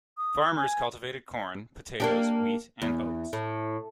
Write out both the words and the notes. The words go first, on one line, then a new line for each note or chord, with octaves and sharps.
Farmers cultivated corn, potatoes, wheat and oats.
D#6
G#5
A#3 D4 G4
E2
A2